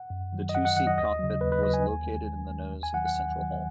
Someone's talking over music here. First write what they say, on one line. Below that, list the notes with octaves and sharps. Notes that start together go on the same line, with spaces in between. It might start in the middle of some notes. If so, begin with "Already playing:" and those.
The two-seat cockpit was located in the nose of the central hull.
Already playing: F#5
F#2
D#3 F#3
D#5
F#2 F#5
F#5
D#3 F#3 F#5
D#5
D#2 D#5
C#3 F#3
D#2 B4
B4
C#3 F#3 D#5
G#5
D#2
D#3 G#3
D#2
D#3 G#3
D#2
G#5
D#3 F#3 F#5
F#5
D#2
D#3 F#3